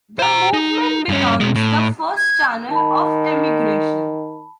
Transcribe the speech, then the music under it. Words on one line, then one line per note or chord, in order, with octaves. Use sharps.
The movement becomes the first channel of emigration.
C5 A#5
D#4
G2 C#4
B2 G#3
A2
G#6
D#3 A5 B5